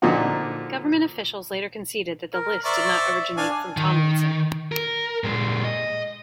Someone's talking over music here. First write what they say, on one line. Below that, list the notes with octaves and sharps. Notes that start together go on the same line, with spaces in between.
Government officials later conceded that the list did not originate from Tomlinson.
A#2 D3 F3 D#4 F#4
A#4
C5 D5 E5 C#6
D4 D5 F5 G#5
D#3
A#4
A#2 G#3
D#5